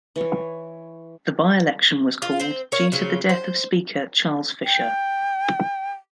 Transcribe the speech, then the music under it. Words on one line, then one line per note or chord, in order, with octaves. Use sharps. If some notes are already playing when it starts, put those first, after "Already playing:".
The by-election was called due to the death of speaker Charles Fisher.
E3 C#5
F4
C4 C5
A#4 C#5 F5
C#3 F#3 C4
C5
G5